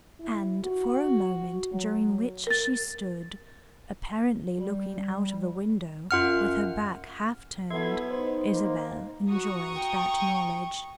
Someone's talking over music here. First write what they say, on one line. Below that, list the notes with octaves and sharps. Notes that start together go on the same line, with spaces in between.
And for a moment during which she stood apparently looking out of the window, with her back half-turned, Isabel enjoyed that knowledge.
E4
F#4
F#3
A#4 A6
G3
F#2 F4 F#5 F6
F#3 B3 E4 A4 E5 C6 G#6
D#4 C5
A#3
F#4 A#5 C#6 D#6
G5